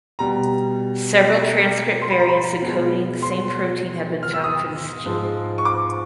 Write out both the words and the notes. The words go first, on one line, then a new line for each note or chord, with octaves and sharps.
Several transcript variants encoding the same protein have been found for this gene.
B2 G3 A#5
C6
B5
A#5
B5
B2 G#3
C6
F6
E6
D#6
G#2 F3 G#3
C#6
D6